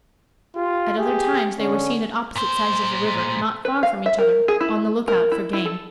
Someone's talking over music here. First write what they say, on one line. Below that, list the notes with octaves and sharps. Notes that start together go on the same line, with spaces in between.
At other times they were seen at opposite sides of the river, not far from each other, on the look out for game.
F4 G4
G4 G#4
D3 C#4
A#2 C5
B4
F5
E5
A#4
G#4
E4
A#4
E4
E4
A4